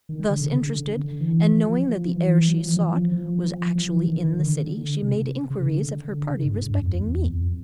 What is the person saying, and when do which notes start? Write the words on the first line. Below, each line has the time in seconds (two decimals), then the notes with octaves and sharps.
Thus interested, and knowing that the heir she sought was actually in the city, she made inquiries of her party respecting me.
0.09 D#3
0.25 D3
0.41 C#3
0.56 D3
0.88 D3
1.20 E3
1.52 F3
1.84 F3
2.16 E3
2.48 F#3
2.58 F3
2.67 E3
2.77 F3
3.12 F3
3.43 F3
3.75 F3
3.91 E3
4.07 D#3
4.23 D#3
4.38 D3
5.02 C3
5.50 C#3
5.66 D3
6.30 C#3
6.45 G#2
6.61 G2
6.77 F2
6.93 E2
7.26 F2